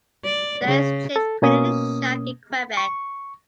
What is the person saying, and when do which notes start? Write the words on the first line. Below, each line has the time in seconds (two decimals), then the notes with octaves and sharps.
The exchange created a shock in Quebec.
0.24 D5
0.65 C#3
1.16 A4
1.42 B2 A#3 C#4 D#6
2.77 C#6